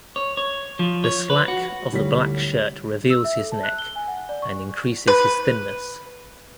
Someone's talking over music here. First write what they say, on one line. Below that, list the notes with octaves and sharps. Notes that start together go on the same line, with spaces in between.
The slack of the black shirt reveals his neck and increases his thinness"".
C#5
C#5
F3
C#5
B4
F#4
D1 G3 C#5 B6
E6
E5
A4
A5
F#6
G7
G#5
F#5
D5
C#6
B4